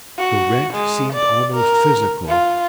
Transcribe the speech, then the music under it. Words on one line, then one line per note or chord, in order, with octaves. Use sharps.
The wrench seemed almost physical.
F#4
G#3
D5
A#4
F4